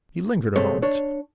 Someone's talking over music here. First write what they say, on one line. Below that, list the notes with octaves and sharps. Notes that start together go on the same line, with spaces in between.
He lingered a moment.
C3 G#3 A3 C4 C#5
D4 C#5